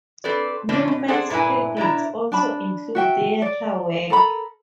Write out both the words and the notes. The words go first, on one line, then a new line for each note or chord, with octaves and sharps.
Newman's credits also include theatre work.
C4 A4 B4 D5
A2 D3 F3 C4 D4
B2
D4 G#4 A4 C5 D5 F#5
G2 A#2 E4 B4 G#5
B2 D4 E4 A#5
D4 A5 B5
F#4 E5 G5
D5
A4 A#4 A#5 B5